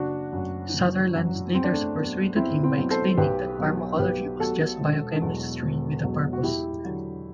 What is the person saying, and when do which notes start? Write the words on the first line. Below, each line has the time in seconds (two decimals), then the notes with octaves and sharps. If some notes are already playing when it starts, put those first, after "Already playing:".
Sutherland later persuaded him by explaining that pharmacology was just biochemistry with a purpose.
Already playing: F#1 D4 F#4
0.33 F#2 F#3
0.73 F#1
1.14 F#2 F#3
1.54 E2 C4
1.64 D4
1.73 A3 C4
1.95 B2 F#3
2.36 E2 C4 E4
2.63 C4 E4
2.77 B2 F#3
2.90 A4 C5
3.18 B1 G4 B4
3.59 B2 F#3
3.99 B1 G4 B4
4.40 B2 F#3 F#4 A4
4.80 E1
5.21 E2 B2 F#3
5.62 E1
6.02 E2 B2 F#3
6.33 F#4
6.43 E2 E4 G4
6.85 D3 F#3